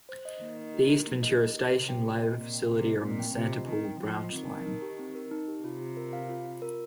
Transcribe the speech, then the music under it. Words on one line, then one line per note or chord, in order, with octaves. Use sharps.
The East Ventura Station and layover facility are on the Santa Paula branch line.
C5
D#5
D#3 A#3
D#5
G4
A#4
A#3
D#5
G4
A#4
C3 C4
G5
F4
D#5
A#2 C4
G5
C3 F4
D#5
A#2 C4
G5
C3 F4
D#5
D#3 C4
G5
F3 F4
D#5
D#3 C4
A#4
D#4
G4
C4
A#4
D#4
G4
C3 F4
F4
A#4
F5
F4
F4
A#4